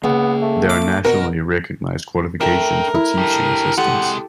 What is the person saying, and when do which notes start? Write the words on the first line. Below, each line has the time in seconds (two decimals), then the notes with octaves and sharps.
There are nationally recognised qualifications for teaching assistants.
0.04 C#2 A#3 B3
0.42 A3
0.69 D6
1.05 B2 A#4
2.41 A3 D4 A#4 E5 G5
2.95 E4
3.18 G4 A4
3.77 C3 G#3 G4 A4 F#5